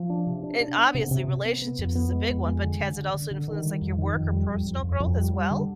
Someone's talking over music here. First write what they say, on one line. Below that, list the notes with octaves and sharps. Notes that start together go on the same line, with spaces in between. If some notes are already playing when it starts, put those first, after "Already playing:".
and, obviously, relationships is a big one, but t has it also influenced, like, your work or personal growth as well?
Already playing: F3
D4
C3
D4
D4
B3
C3
C3
C3
B3
B3
F2
B3
G#3
F2
G#3
D3
D3
D3
D3
D3
D#3
G3
F2
D#3
F2
G3
F2
F2
F2
F2
G3
G3
D3